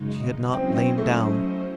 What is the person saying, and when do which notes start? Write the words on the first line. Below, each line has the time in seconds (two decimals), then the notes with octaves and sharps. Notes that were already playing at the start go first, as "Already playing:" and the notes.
She had not lain down.
Already playing: F#2 C#3 G#3 D#4
0.53 F#3 C4 C#4 E4 C5 D#5
0.76 C4
0.98 A3